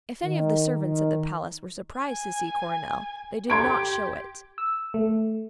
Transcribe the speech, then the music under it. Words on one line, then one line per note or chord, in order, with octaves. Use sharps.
If any of the servants at the Palace were surprised to see Coronel, they did not show it.
D#3
D#3
G#5
G4 C6 G#6 D7
E6
A3